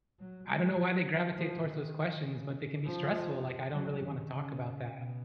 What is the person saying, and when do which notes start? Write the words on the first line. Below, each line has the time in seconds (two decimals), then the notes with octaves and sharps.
I don't know why they gravitate towards those questions, but they can be stressful, like I don't really wanna talk about that.
0.20 F#3
0.49 G#3
0.78 F#3
1.37 F3
1.67 D#3
2.25 C#3
2.84 F3
3.73 F#3
4.03 D#3
4.32 C#3
4.91 B2